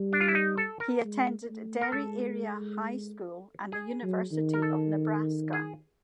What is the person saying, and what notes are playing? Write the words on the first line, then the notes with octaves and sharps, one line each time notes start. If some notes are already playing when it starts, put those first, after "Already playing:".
He attended Derry Area High School and the University of Nebraska.
Already playing: G3
D4
F4
E4
D#4
A4
A#4
G#3
A3
A#4
G#3 A4
G#4
F#3
D#3
A#4
A4
G#4